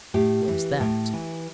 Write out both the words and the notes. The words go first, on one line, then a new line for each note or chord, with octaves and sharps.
"Where's that?"
A2 G4
E3
A2
E3